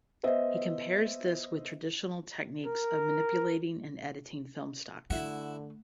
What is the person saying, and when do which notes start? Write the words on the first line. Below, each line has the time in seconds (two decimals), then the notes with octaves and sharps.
He compares this with traditional techniques of manipulating and editing film stock.
0.23 B3 C5 D#5 E5
2.66 A#4
5.10 D3 A3 E4 F#4